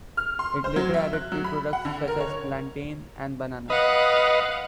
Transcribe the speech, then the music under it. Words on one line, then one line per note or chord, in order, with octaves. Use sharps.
It later added tree products such as plantain and banana.
F6
C6
C5
F#3
E5
F#6
F#3
B5
F#5
D3
A#4
C#5
B4 D#5 F5 F#5